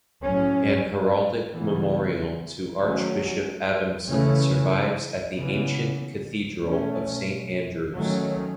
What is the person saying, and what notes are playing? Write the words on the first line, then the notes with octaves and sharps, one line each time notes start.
An heraldic memorial to Archbishop Adamson survives at the ancient cathedral of Saint Andrews.
A2 F#3 C#4
C#3 E3 B3
D#3 F#3 A3 C#4
C#3 E3 A3 C#4
C#3 E3 B3
B2 A3 C#4
D#3 F#3 A3 C#4